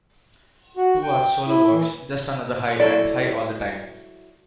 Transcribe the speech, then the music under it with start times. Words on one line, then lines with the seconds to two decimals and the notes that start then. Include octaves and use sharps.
Two are solo works: "Just Another High" and "High All The Time".
0.77 F#4
1.03 G5
1.47 E4
1.72 E3
2.80 F#3 E4 A4 D5